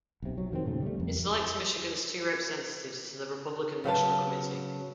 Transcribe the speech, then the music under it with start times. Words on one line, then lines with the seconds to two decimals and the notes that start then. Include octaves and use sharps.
It selects Michigan's two representatives to the Republican National Committee.
0.22 B1 C3
0.38 F#3
0.52 F2 D#3 G3 C4
0.65 A#2 C#3 A3
0.82 G3 A3
1.00 F2
3.84 C#3 F#3 B4 A5